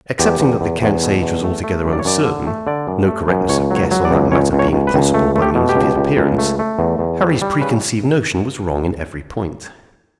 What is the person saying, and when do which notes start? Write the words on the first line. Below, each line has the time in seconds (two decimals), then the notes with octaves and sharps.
Excepting that the count's age was altogether uncertain, no correctness of guess on that matter being possible by means of his appearance, Harry's preconceived notion was wrong in every point.
0.19 E2 G4
0.40 E2
0.61 E2
0.82 E2
1.03 B2
1.22 E2
1.44 A3
1.64 A3
1.85 F#2
1.93 D5
1.99 C#5
2.05 F#2 D5
2.25 D3
2.47 A3
2.67 D3 D5
2.88 F#2
3.08 A3
3.28 F#2
3.49 C#2 C#5
3.71 F#3
3.76 C#5
3.91 F#3
4.05 D5
4.11 C#2
4.32 C#2 C#5
4.53 C#2
4.59 C#5
4.73 C#2
4.87 B4
4.94 C#2
5.14 A3
5.36 A3
5.42 G4
5.55 B2
5.69 G4
5.76 C#2
5.96 C#2
6.17 C#2
6.38 A3
6.59 A3
6.79 E2
6.99 E2
7.21 G3
7.42 G3
7.61 C#3 B4